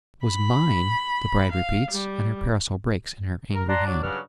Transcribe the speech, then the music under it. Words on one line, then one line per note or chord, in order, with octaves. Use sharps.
'Was mine!' the bride repeats, and her parasol breaks in her angry hand.
B5
F5
G3
A#4
D5 F#5 A5 A#5 C6 D6
F#3 D4 D5
G2 C#3 F#3 D4 F#4 F6